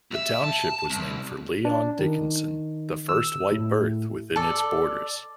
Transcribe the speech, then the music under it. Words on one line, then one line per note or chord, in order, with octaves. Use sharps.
The township was named for Leon Dickinson, the first white birth within its borders.
B1 E5
A5
C2
D4
D#3
E6
A2
A4 D5